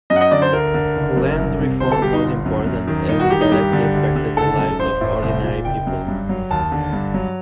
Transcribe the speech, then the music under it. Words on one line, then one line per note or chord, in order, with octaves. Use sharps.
Land reform was important as it directly affected the lives of ordinary people.
F#2 D#5
F#5
D#5
D3 D5
C5
D2 A#4
D3
F#1
F#2
C2
C3
G1 C5
A4
G2 G4
D#4
G1
F#2
F#2
D#3
G2 D#4
F#4
D#3 G4
D#4
G2 G4
D3
D2
D3
F#1 A4
F#2
A1 C5
A2
C2
A#2
F#1 G5
F#2
G2
F#3
D#2 A5
D3
G2
F#3